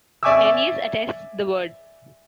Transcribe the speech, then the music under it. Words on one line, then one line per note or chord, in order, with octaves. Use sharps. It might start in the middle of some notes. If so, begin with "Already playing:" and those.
Ennius attests the word.
D5 E5 G#5 C#6 D6 E6